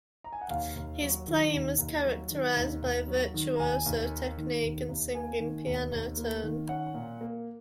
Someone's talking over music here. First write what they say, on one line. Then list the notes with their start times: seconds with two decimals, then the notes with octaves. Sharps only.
His playing was characterized by a virtuoso technique and singing piano tone.
0.24 A#5
0.33 G#5
0.41 F#5
0.50 D#2 F5
0.76 D#2
1.02 F#3
1.28 D#3
1.53 D#2
1.78 D#2
2.05 F#3
2.30 D#3
2.56 D#2
2.82 D#2
3.08 F#3
3.34 D#3
3.56 A#5
3.59 D#2 G#5
3.86 D#2
4.12 A#3
4.37 D#3
4.62 D#2
4.89 D#2
5.14 A#3 G#5
5.40 D#3
5.66 D#2
5.91 D#2
6.17 A#3
6.43 D#3
6.69 C#4 F#5
6.94 A#2
7.21 A#3